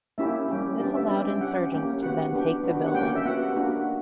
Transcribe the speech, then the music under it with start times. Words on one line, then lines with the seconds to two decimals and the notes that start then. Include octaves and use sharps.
This allowed insurgents to then take the building.
0.18 A#3 C#4 E4 G4 E5
0.49 G3 C#4 G4
0.79 B3 D4 G4 D5
0.94 E5
1.10 G3 C#4 G4 E5
1.25 G5
1.41 C#4 G4 F#5
1.72 A#3 C#4 G4
2.02 B3 F#4 F#5
2.33 B3 D4 G4
2.64 B3 D4 F#4
2.86 F#5
2.94 A#3 C#4 G4 G5
3.15 E5
3.25 B3 F#4 F#5
3.56 A#3 D4 F#4